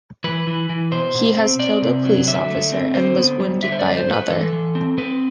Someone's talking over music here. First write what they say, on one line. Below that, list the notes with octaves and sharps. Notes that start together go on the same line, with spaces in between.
He has killed a police officer and was wounded by another.
E3 B4
E3
E3
B2 C5
B2
C4
C4 D5
C3
F#3
D3 E5
A3
C4
D3 C5
B3
G3
D3 E5
C5
D5
A3
C5
A3 B4
E3 A4
E3
C4
C4 B4